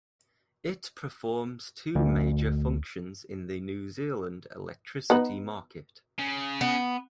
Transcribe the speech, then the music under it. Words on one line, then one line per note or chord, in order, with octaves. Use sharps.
It performs two major functions in the New Zealand electricity market.
D2
B3 D#4 B4
C#3
B3